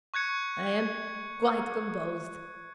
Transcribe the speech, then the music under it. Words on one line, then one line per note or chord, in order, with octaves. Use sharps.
"I am--quite composed."
C#6 F#6 G#6 C#7